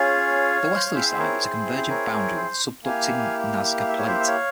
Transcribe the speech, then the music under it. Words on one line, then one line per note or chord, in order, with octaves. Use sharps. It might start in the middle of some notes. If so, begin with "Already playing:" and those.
The westerly side is a convergent boundary with the subducting Nazca Plate.
Already playing: C#4 F4 G#4 C#5 F5
C5
C#5
C4 E4 G#4 C5 E5
E5
A#4 C#5
C5
C5
C5
A#4 C#5
A#4 C#5
C5
A#3 E4 G4 F5 G#5
F5
E5
C#5
C5 E5
E5
C#5 F5